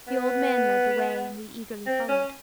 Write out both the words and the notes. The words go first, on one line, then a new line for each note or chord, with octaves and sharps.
The old man led the way, and we eagerly followed.
B3
C4
C#4